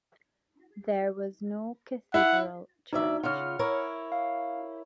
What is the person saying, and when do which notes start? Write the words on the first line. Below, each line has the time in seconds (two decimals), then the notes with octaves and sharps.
There was no cathedral church.
2.14 E4 F#5
2.93 D2 D#4 D5 E5
3.23 C#3 F4 F#5 F6
3.59 E4 A#4 C#5
4.12 F5